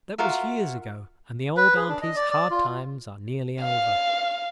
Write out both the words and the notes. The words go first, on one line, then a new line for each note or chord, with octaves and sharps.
That was years ago, and the old aunty's hard times are nearly over.
F4 F#4 A#4 E5
B4
G#4
D4
D#5
D5
D5
F4
F5